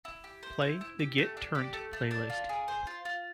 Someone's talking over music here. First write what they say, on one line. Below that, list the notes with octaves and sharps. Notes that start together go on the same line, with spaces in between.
Play the Get Turnt playlist.
E4
G4
C5
E4
E4
G4
A3
D4
G4
A3
A3
D4
F4
G#4
C5
F4
F4